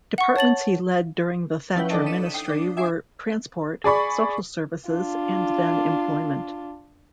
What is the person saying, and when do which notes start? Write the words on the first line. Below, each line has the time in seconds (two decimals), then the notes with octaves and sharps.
Departments he led during the Thatcher ministry were transport, social services and then employment.
0.18 F#5 C#6
0.36 C#5 A5 A6 F#7
1.76 F3 C#4 E4 B4 F#5 G5
1.90 D4 D#4 A4 D5 D#5 A5
2.06 B6 C#7 D#7 E7
2.34 G5 D#6 C7
2.49 D4
2.77 E5 G#5 D6 C7
3.84 G#4 D5 B5 C#6
4.90 D4 F4